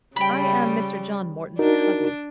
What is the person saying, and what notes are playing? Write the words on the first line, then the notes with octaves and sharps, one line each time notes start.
"I am Mr. John Morton's cousin."
C#3 G3 G5 B5
D4 D#4 F#4 A#4